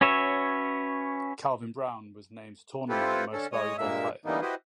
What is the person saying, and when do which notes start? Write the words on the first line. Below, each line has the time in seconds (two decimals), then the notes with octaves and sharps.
Calvin Brown was named Tournament Most Valuable Player.
0.01 C#4 F#4 B4 C#5 E5
2.89 C4 E4 F4 G4 A4 B4
3.33 D3 C#4 A4
3.52 G#3 C#5 D#5 D#6
3.78 G2 A#2 G#3 A#3 E5 E6
4.25 D3 E3 G3 A#3 B3 D#4
4.42 E4 F#4 G4 B4 C5 D#5